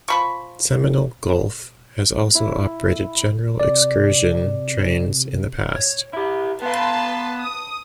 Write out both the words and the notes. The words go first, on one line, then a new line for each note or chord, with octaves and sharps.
Seminole Gulf has also operated general excursion trains in the past.
F3 B5 C#6
E4
C3 D5
C#5
E4 G4
B3 B4 F5 A5 C6
D#6